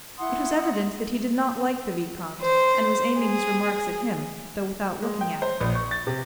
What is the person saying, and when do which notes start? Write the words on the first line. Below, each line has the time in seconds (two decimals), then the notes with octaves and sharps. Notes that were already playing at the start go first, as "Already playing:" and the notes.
It was evident that he did not like the vicomte and was aiming his remarks at him, though without looking at him.
0.18 E4 F#5 C6 D#6
2.40 C5
3.19 G#4
5.02 G#3
5.21 G5
5.42 C5
5.61 A#1
5.75 C#6
5.91 A6
6.07 C3